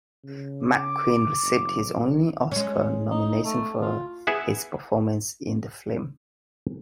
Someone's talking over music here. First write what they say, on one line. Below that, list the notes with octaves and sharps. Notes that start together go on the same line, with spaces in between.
McQueen received his only Oscar nomination for his performance in the film.
C#3
D6
F#1
B1
G#3 C#4
D#4
A3
F4
B3 E4 G#4 E5 F#5